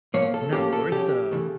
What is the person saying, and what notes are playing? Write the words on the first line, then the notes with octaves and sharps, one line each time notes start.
not worth the
A2 F3 A#3 C#5
A4
A2 F3 A#3 C#4 G4
A4
C#3 F3 C#4 G4
C#3 E3 A3